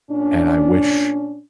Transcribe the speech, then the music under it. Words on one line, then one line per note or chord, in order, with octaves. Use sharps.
and I wish
A#2 C#4 D4